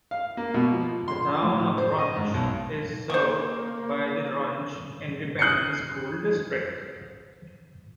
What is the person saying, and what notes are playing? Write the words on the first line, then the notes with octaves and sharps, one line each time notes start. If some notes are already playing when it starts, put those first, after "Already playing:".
The Town of Runge is served by the Runge Independent School District.
F5
A#3
B2
F3
C6
A2
C5
D#5
G#2
B1
A#3 C5 C#6
D#6 F#6 G6 C7 C#7